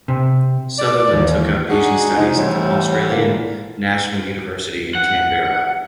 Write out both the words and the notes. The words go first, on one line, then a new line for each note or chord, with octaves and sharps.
Sutherland took up Asian studies at the Australian National University in Canberra.
C3
D5
D#2 E3
D4 D#4 F#4 G#4
C3 G#3 D#4
A2 E3 G3 C4 C#5 F#5
A#2 D3 E3 A#3
F#5